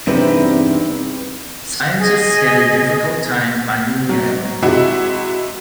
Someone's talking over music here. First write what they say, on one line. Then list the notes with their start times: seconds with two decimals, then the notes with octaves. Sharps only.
Scientists had a difficult time finding the island.
0.07 E2 G2 C3 C4 D#4 B4
1.98 G#4 D#5
4.09 F#3
4.62 C3 G#3 E4 F#4